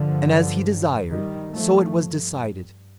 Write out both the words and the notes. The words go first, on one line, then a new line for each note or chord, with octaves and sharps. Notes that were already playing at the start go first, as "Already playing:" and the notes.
And as he desired, so it was decided.
Already playing: G2 D3 F3
D#3 G3
G2 F3 A3